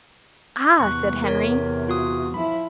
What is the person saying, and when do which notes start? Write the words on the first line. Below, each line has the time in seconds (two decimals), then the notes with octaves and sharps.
"Ah!" said Henry.
0.80 E2 C3 C#6 F#6
1.24 A#4 C#5
1.88 F4 F#4 D#6
2.34 F3 E4 B5